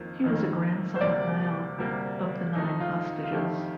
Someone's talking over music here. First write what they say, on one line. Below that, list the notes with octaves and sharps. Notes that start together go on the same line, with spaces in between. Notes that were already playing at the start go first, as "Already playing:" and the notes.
He was a grandson of Niall of the Nine Hostages.
Already playing: F2 D#3 A#3
F2 D#3 A#3
C5
D2 C3 G3 A#3 D5
D2 C3 G3 A#3
F2 D#3 A3 D#4
F4
F4
F2 D#3 A3 G4